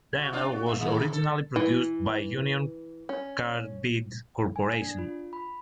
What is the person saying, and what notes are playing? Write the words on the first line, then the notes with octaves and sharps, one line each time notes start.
Dynel was originally produced by Union Carbide corporation.
F#4
C#4 D4 F4
F#4
B2 E5
A2 D#3 G#3
A4
E3
C#4
G#5
D4
F4
B5